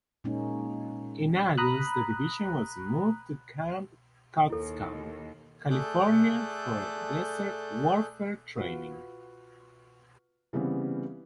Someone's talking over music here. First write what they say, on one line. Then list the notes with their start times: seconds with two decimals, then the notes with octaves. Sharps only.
In August, the division was moved to Camp Coxcomb, California for desert warfare training.
0.24 A#2 G#3 A#3 C#4 D#4
1.58 A#5 B5 D#6 F#6
4.50 D#2 E4 A4
5.70 A3 G#4 A4 D5 F#6 G6
8.56 F4 F#4 B4
10.53 C#3 E3 G3 B3 C4